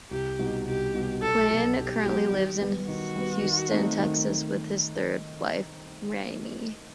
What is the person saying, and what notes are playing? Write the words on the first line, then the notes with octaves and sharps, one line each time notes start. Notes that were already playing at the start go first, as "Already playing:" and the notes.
Quinn currently lives in Houston, Texas with his third wife, Rennie.
C2 G4
B2 G3 D#4 F#4
C2 G4
B2 G3 D#4 F#4
B1 A4
B2 F#3
B1 G4
B2 F#3
D#3
G3 B3
D#3 F#4
G3 B3
D#3
A3 C4 D#4
D#3